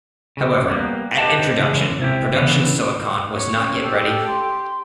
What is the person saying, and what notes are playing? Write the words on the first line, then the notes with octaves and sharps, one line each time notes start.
However, at introduction, production silicon was not yet ready.
C#3
G3 A#3 B3
G4 B4 D#5 A5
C#3 E3 G#3
C3 E4 G4
C#3 E3 B3
C#4
G4 A4
C6